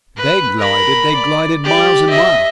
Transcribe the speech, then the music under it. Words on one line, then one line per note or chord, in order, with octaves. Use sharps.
They glided--they glided miles and miles.
B4
A#4 B5
D5
G4 D5
D#5 E5